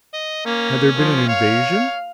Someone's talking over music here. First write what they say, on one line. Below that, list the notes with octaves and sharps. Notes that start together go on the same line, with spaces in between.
Had there been an invasion?
D#5
A#3 C#4
F3
C#5 F5